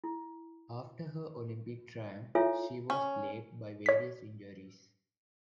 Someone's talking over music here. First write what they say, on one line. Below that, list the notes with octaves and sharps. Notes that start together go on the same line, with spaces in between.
After her Olympic triumph, she was plagued by various injuries.
E4
E4 F4 A4 C#5 E5 G#5
C#4
C#5 B6